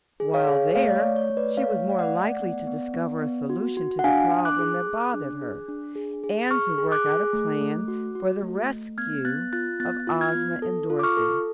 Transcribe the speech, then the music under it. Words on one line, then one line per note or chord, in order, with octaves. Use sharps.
While there she was more likely to discover a solution to the problem that bothered her, and to work out a plan for the rescue of Ozma and Dorothy.
G#4
C#5 F5
G#4
A3 C#5 F5
D5
C#5
A3
C#5
A3
B4 D5
A3 C#5 F5
A3 F5
D5 F#5
A3
B3
B3
B3
B3
F#4
F#4
F#5
D4 F5 G#5
D4
D6 F#6
G#4
G#4
D4
G#4
D4
G#4
G#4
G#4 C#6 F6
G#4
D6 F#6
G#4
A3
A3
F#4
F#4
A3
A3
B3 F6 G#6
B3 F#6 A6
F4 F#6 A6
B3 F#6 A6
F4
F6 G#6
B3
A4
F4
D6
C#6 F6
A4